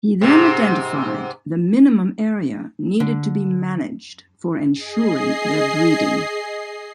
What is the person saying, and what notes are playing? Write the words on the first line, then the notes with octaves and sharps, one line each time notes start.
He then identified the minimum area needed to be managed for ensuring their breeding.
G#2 C3
D3
G#4 D#5 C7